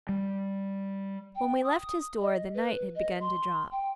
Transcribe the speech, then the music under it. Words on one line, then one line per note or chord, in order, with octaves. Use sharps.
When we left his door the night had begun to drop.
G3
G5
D#6
D#5
B4
D#5
C6
G5